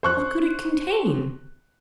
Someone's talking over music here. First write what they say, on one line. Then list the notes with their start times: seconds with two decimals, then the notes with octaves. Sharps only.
What could it contain?
0.03 C5 C#6 F#6